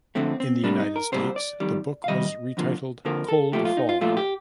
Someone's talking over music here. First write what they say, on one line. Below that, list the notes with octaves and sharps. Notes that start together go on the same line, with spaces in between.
In the United States, the book was retitled "Cold Fall".
F2 D3 A3 C4
C4
C3 G3 A#3 D4
D#4
A#4
C3 G3 A#3 C5
D5
F2 D#3 G3
F5
F2 D#3 G3 D#5
F2 D3 F3 A#3
F2 D3 F3 A#3 A#4
A4
A#2 F3 A3 G4
F4
D#4
F4
A#2 F3 A3 F4
G4